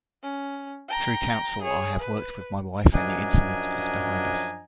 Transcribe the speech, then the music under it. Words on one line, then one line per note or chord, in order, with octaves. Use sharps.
Through counsel I have worked with my wife and the incident is behind us.
C#4
G5 A#5
G#4 C#5
B4
F#2 F3 D4 D#5 G#5 A#5